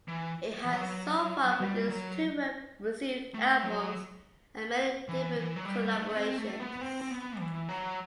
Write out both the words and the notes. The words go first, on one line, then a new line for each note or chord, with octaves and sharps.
It has so far produced two well-received albums and many different collaborations.
E3
E3
F#3
G3
F#3
A3
F#3
E3
E3
F#3
G3
A3
C4
A3
B3
C4
C4
B3
E3
F#3